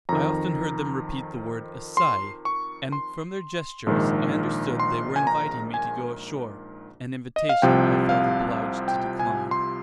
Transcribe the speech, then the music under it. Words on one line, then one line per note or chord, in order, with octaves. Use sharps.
I often heard them repeat the word "assai," and from their gestures I understood they were inviting me to go ashore, an invitation I felt obliged to decline.
F2 D#3 A#5
C6
C#6
C6
A#1 G#2 D#3
C6
G#5
A#5
G#5
D#5
F5
C2 C3 F3 G5
F5
F5
G5
G#5
C6